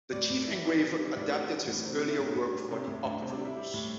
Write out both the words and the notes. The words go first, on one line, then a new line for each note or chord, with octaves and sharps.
The chief engraver adapted his earlier work for the obverse.
A2 D5
A2
D5
E3 E5
G3 D5
C3
G3
A2 D5
G3 C4
E3 D4
A2 C4
C3 C4
D4
C3 E4
A2 E4
A2
D4
G3
C3 D4
A2 E4
D4
A2
D4
C3 C4
D4
G3
E4
G3
A2